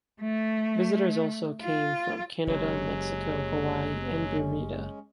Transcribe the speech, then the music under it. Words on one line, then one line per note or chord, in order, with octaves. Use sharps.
Visitors also came from Canada, Mexico, Hawaii and Bermuda.
A3
F4
F#1 F#2 F#3 G#3 C#4 G4 G#4 C#5